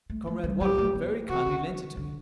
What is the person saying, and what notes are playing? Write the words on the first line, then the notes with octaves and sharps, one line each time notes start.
'Comrade Waller very kindly lent it to me.
A3
A3
G3
F#3 G4
A3
B3
E3 F#4
D3
D3